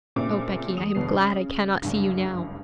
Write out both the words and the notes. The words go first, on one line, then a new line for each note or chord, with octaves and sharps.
O Becky, I am glad I cannot see you now!'
A#2 C#3 A3 C4 D4 D6
E2 D#6 F7
G1 E2 B2 B3 C7
C#3
F#1 C#2 G2